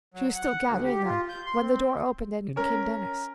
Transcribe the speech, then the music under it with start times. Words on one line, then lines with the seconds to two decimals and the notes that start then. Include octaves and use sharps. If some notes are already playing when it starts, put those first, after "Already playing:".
She was still gathering them when the door opened and in came Denis.
0.14 F#3
0.35 F#5
0.66 D2
0.84 G4
1.04 F4
1.29 G6
1.46 C6
1.61 C4
2.56 C#4 A#4